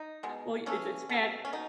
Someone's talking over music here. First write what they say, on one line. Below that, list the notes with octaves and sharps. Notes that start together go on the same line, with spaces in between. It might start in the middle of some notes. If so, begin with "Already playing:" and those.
well it's it's bad
Already playing: D#4
B2 G#3 B3
C#3 E3 A3 C#4
B2 A3
C#4
B2 D#4